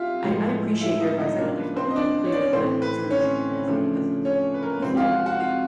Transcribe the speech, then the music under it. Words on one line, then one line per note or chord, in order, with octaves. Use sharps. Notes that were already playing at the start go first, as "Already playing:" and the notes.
I I appreciate your advice, I know there's not, like, a clear-cut solution to this because of like you said,
Already playing: G3 F4 G4 E5 F5
A2 F3 G#3
E4 E5
D#4 D#5
D#4 D#5
C#3 F3 A#3 D4 A#4
B4
C4 C5
D#5
D4 D5
C#5
D5
C#4 C#5
A2 E3 A3 C4 C5
B4
C#4 C#5
C#3 F3 A3 D4
C#4 C#5
B4
A#4
B4
F2 C3 F3 G#3 C4 C5
F4 F5
F#4 F#5
F#4 F#5
F4 F5